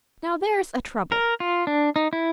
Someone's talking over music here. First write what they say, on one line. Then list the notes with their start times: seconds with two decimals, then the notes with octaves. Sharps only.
Now, there's a trouble.
1.12 A#4
1.40 F4
1.67 D4
1.96 D#4
2.13 E4